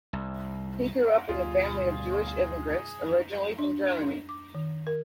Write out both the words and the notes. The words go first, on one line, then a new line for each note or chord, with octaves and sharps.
He grew up in a family of Jewish immigrants, originally from Germany.
C2
D2 B2 D3 G3 F4 G#4
D4
D6
D#3
A#4